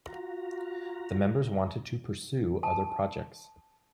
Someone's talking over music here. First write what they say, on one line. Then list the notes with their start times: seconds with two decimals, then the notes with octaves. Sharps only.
The members wanted to pursue other projects.
0.07 F4 F#4 A#5
2.63 A5